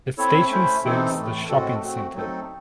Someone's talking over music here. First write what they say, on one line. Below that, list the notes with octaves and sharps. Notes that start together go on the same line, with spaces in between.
The station serves the shopping center.
C4 E4 A4 C#5 E5
A3 C#4 E4 C5 E5
C3 E3 C4 D#4 A4
A2 E3 A3
A2 G#3 C4 F#4 A4
A3 C4 F#4
F#3 A3 C4 D#4 A4